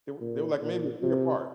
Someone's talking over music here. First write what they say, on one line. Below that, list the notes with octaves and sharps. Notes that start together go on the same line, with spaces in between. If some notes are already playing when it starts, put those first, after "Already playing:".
They were they were, like, maybe a year apart.
A#2
A#2
C3